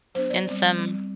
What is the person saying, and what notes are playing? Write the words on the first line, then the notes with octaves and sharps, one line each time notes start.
and some
F#3 B3 D4 C5
D5
G3 C4
G3 C4